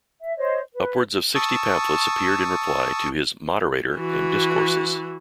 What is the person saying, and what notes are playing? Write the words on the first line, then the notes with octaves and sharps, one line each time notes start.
Upwards of sixty pamphlets appeared in reply to his "Moderator" and "Discourses".
E5
C5 C#5 D#5
B4
A5 C#6 D#6 E6
E3 F#4